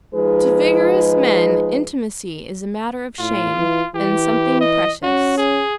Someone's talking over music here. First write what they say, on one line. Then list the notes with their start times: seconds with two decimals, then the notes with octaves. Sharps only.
To vigorous men intimacy is a matter of shame--and something precious.
0.13 F3 G#3 D#4 G#4 B4
3.19 A2 F4
3.57 E3
3.95 E3 G4
4.61 D#5
5.03 C#4 F#4
5.38 G#4